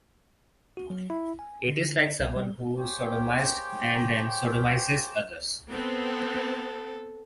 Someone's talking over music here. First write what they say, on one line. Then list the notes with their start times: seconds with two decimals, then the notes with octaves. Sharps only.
It is like someone who is sodomised and then sodomises others.
0.77 F#4
0.90 F#3
1.10 E4
1.39 G#5
1.69 D3
2.20 C2
2.36 G3
2.78 A#3 G4 G#4 C5 C#5 G5
5.71 B3 C4 A4